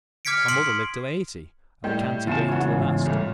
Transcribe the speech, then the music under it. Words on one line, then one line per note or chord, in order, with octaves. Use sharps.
My mother lived till eighty, a canty dame to the last.
D6 F6 G#6 B6 C#7 D7
C6 D#6 B6 C7 D7 F#7
A2 G3 D#5 G5 G6
E2 C#3 F4 A5
E3 F4 C#5
A1 G#2
C2 A3